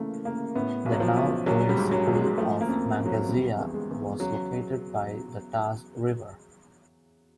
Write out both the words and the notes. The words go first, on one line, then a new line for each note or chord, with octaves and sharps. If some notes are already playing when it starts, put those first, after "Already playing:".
The now ruined city of Mangazeya was located by the Taz River.
Already playing: C#3 E3 A3 A#3
C#3 A#3
A2 B3
B1
F#3
F3
B1
A#1 F#3
G3
G#2
F#3
A#1
G#3
F3 A3
A#3
F2
F2
F#3
E2 G3
E2
G#3
E2
C#3 F#3